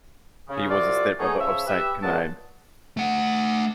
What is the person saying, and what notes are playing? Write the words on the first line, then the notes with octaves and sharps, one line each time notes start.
He was a stepbrother of Saint Conainne.
C#3
C2 C3 F#3 F4 D5
A3 B3 C#4 D#4 G#4
C#3 F3 C#5 E5
G4 B4 E5
C#2 A#2 F#3 G#3 F#5 A5
A3 F#5